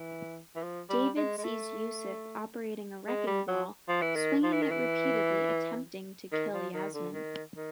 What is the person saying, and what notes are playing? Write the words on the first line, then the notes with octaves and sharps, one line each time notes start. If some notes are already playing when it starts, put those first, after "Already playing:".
David sees Yussef operating a wrecking ball, swinging it repeatedly attempting to kill Yasmin.
Already playing: E3
E3
F3
G3
G#3
G#3
A3
G#3
G3
F#3
F3
E3
D#3
F3
E3
D#3
E3
D#3
F3
D#3
D3
D#3
D#3